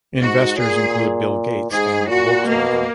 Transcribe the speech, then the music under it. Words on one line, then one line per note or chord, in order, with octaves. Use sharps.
Investors include Bill Gates and Volkswagen.
G#2 F#4
A#2 G#4
G#2 G#4
A#2 F#4
B2 A#3